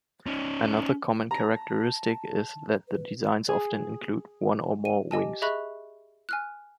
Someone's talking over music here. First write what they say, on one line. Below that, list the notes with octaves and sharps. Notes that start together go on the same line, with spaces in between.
Another common characteristic is that the designs often include one or more wings.
C#4 D#4
A5 A#5
B4
G#4
D#7
G4 D#5 G#5 A5
G#4 D#5 E5 B5 C#6 F#6
G#5 F6 F#6